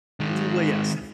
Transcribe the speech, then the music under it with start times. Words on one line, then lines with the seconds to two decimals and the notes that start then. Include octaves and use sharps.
Mm, well, yes,
0.20 D#3 G#3